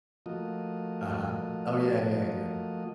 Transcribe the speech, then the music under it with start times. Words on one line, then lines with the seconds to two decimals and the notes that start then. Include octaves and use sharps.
Uh-huh. Oh, yeah, yeah, yeah.
0.26 F3 A3 A#3 F4 F#4 D#5